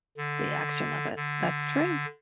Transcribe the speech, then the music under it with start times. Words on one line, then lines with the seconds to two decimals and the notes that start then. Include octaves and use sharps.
The action of it. That's true.
0.17 D3
1.16 D3